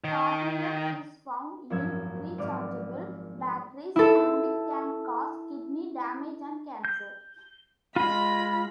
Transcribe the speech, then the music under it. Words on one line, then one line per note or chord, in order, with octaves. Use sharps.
Cadmium is found in rechargeable batteries and can cause kidney damage and cancer.
D#3
G#1 F#2 F3 C#4 E6 G#6
G#1 D5 F6
E4 A4
G6
G#3 F4 B5